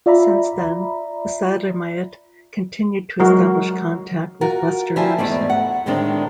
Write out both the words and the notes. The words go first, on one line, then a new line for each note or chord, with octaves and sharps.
Since then, the Sadlermiut continued to establish contact with Westerners.
F4 D5 E5 A#5 B5
F#3 G#3 F#4 A#4
F4 F#4 A#4
D2 F3 E4 G4 G#5 A5
E2 G#2 A3 D5
F#5
A2 D3 D#3 G#3 C4 D4